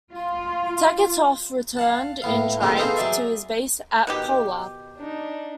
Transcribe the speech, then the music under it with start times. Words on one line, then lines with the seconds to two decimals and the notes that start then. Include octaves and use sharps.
Tegetthoff returned in triumph to his base at Pola.
0.13 F4
1.77 F5 F#5 A5
2.22 A2 B3 F5
2.61 A#2 C#3 G3 G#3 C4 A4
2.76 B3 D#4 G#4 A4 C5 F5
2.97 F#3 G#4 D5 E5
4.07 B2 D#3 G4
4.98 D4 D#4